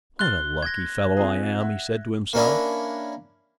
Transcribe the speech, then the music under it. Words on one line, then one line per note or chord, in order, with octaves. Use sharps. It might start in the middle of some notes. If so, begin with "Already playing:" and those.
"What a lucky fellow I am!" he said to himself.
C6 F6 F#6 A6 G7
G#6 A#6
C4 F4 G#4
E5 F#5
A#3 C#4 D4 E4